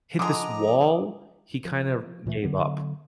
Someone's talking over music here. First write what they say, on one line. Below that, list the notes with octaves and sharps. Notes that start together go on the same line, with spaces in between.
hit this wall, he kind of gave up,
D3 F3 G#3 A#5 D6 D#6
F3
D2 A#2 E3 A3
D3 F3 F#3 B3